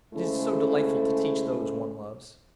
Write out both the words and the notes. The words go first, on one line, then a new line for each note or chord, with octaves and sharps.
It is so delightful to teach those one loves!
C#3 G#3 A3 E4 A4 C5